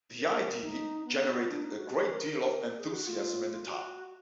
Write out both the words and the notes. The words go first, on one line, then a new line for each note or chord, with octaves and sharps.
The idea generated a great deal of enthusiasm in the town.
A#4
D#4
B3
D4
D#4
F#4
G#4
A#4
A#4
A#4
G#4
F#4
F4
F#4